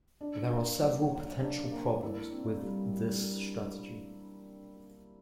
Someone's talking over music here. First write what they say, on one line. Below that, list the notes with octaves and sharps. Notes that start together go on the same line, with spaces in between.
There are several potential problems with this strategy.
D4
A#3
F#3
F#3
D4
A#3
E4
C4
G3
G3